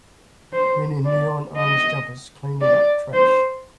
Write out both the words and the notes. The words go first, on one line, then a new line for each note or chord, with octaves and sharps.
Men in neon orange jumpers cleaning up trash.
C5
D5
D#5
D5
C5